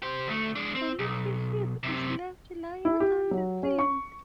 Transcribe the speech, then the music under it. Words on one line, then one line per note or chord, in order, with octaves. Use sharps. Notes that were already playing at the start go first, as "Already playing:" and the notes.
A little heap is left lying on the field.
G4 C5
D2 A3
G#3 D4
C4
B1
F#2 C3
E4
G4
F#3
C#4
C#6